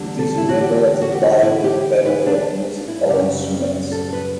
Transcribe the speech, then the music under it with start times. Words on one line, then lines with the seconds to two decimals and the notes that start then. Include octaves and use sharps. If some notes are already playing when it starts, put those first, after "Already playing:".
It is a member of the violin family of musical instruments.
Already playing: E2 D3 G3
0.19 A4
0.38 E4
0.49 F#4
0.61 G4
1.02 F#4
1.12 G4
1.22 F#4
1.43 E4
1.64 G4
2.05 B4
2.26 D4
2.88 E4
3.09 F#2 C#3 G3 G4
3.92 A4
4.13 B4